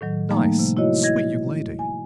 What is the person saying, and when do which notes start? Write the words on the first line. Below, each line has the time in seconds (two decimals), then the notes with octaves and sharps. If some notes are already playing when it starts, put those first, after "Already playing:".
"Nice, sweet young lady."
0.01 A2 D#3 F#3
0.31 F3 G3 A3 A#3 D#4
0.59 C3
0.77 E4 F#4 C#5 D#5
1.03 E4 D#5 G#6 A#6
1.79 G#5